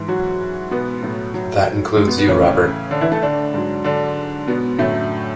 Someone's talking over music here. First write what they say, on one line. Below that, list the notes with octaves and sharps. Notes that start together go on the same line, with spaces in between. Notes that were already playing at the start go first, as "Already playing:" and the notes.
That includes you, Robert.
Already playing: G#2 E3
F#3 F#4
B2 B3
A2 F#3
F#3
G#3
B2 B3
B2 B3
A2 C#3 E3 C#4
D3 D4
E3 E4
A3 A4
D3 D4
G#2 F#3
D3 D4
B2 B3
F#2 A2 D3 F#3 A3